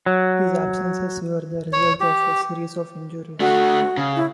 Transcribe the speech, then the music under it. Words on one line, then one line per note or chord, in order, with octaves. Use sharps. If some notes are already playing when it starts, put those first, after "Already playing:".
His absences were the result of a series of injuries.
F#3
C#5
G4
A3 D4 F#4
C#3
E4